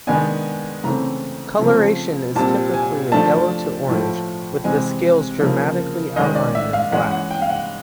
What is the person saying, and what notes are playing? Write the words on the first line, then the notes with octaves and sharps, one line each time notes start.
Coloration is typically a yellow to orange, with the scales dramatically outlined in black.
D#3 G#3 B3 D4 G#5
C#3 E3 A3 C4 A#5
C#3 F3 A3 C4
A#2 G3 C4 A5
G#5
F3 A3 D4 A5
A2 F3 A3
C3 E3 G#3 C4 G#5
C#3 F3 A#3
D#3 G#3 C#4 D#5
D5
E5
F5
E3 G#3 C#4 F#5
F#5
G5
F5
F#5